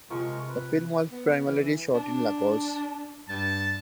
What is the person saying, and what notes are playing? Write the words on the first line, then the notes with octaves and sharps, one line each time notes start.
The film was primarily shot in Lagos.
C3 F3 G#3 A#4 C#6
B4
B3
E3
D4
G2 A5